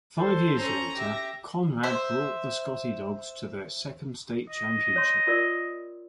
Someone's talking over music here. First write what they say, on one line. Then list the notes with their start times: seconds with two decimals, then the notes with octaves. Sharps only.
Five years later, Conrad brought the Scotty Dogs to their second state championship.
0.18 A4 C5
0.57 C#4 A#5
0.95 G4 E5 A#6
1.83 C5 E5
4.50 D#5
4.96 C#5 C6
5.27 F4 A#4 D5